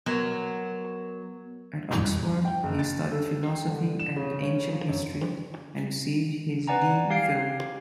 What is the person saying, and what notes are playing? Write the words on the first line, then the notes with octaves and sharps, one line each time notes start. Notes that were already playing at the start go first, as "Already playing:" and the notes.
At Oxford he studied Philosophy and Ancient History, and received his D. Phil.
F#3 B3 A#4 G#6 E7
G5
F#1
A6
A4
G5
D3
E7
C#3
C#4
F3
F#2
B4 D5 F#5 G#5 A#5
G4 F5 G#6 C7 D7